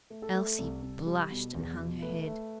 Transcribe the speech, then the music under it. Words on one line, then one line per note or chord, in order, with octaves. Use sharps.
Elsie blushed and hung her head.
A3
A4
A3
C2
C2
G3
B2
E2
B2
A3 B4
A3